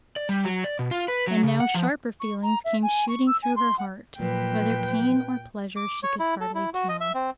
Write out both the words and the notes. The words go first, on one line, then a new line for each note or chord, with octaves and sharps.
And now sharper feelings came shooting through her heart, whether pain or pleasure she could hardly tell.
D5
G3
F#3
D5
B2
F4
B4
F#3
C#3
F#5
F3
C#6
A#5
E5
G#5
C#6
E6
G#5
C6
F#5
A#2 F3 F#3 B4 G5
D6
C#5
E4
A4
E4
F#4
D#5
E5
C4